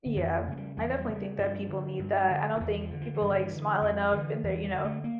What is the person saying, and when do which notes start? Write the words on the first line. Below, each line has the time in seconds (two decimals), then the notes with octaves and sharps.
Yeah. I definitely think that people need that. I don't think people, like, smile enough in their, you know,
0.06 D3
0.16 F2 E3
0.37 F3
0.48 C#3 A3
0.57 G3
0.77 E2 G3
0.88 F3
0.98 G3
1.08 C#3
1.39 G2 F3
1.69 D3
1.99 G2
2.30 D3
2.56 D3
2.60 E2 E3
2.72 E3
2.81 F3
2.91 D3
3.01 F3
3.14 E3
3.21 G2
3.27 D3
3.39 E3
3.52 D3
3.82 F2 F3
4.12 D3 E3
4.44 E2 E3
4.64 G3
4.74 D3
4.84 A3
5.04 A#3